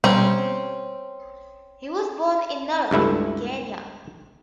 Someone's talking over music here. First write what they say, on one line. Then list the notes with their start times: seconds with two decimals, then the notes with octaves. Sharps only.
He was born in Narok, Kenya.
0.04 B2 G3 C4 C#4 A#5
2.91 C#2 G2 A3 E4